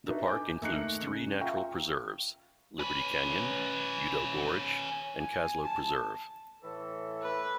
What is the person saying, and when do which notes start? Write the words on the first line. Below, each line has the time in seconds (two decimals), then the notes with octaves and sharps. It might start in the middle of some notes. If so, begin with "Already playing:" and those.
The park includes three natural preserves: Liberty Canyon, Udell Gorge, and Kaslow Preserve.
0.06 D4 D#4 F#4 A4 B4 E5
0.25 G#5 D6 G6
0.61 D#2 A3 D#4 A#5 F#6 C#7
1.02 C#3
1.41 F4 E5 F5 G5 A#5 C#6
2.79 C#4 B4
5.20 G#5
5.63 A5
6.63 A2 E3 A4
7.22 B4